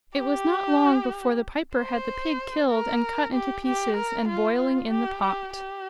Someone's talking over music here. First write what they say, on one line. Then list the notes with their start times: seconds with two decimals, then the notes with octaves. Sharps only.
It was not long before the piper had the pig killed and cut into pieces and boiling in the pot.
0.19 G4
1.76 C5
2.70 A#4
3.34 G4
3.65 G4
3.97 A#4
4.28 F4
4.59 F4
4.91 G4
5.22 G4
5.54 G4